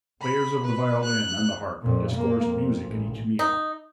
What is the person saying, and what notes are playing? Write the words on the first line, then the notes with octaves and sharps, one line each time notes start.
Players of the violin and the harp discoursed music at each meal.
B5
B4
F#6
F2 A#2
F#2 A#3
F2
A1
D#4